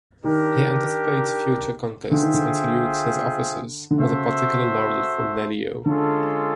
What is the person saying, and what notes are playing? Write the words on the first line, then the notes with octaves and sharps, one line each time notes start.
He anticipates future conquests and salutes his officers, with a particular laurel for Lelio.
D#3 D4 G4 A#4
D3 F4 G#4 C5 E5 G5
D#3
D3
D3
C#3 F#4 A4 C5 E5
D3 G#3 C#4 F4 A4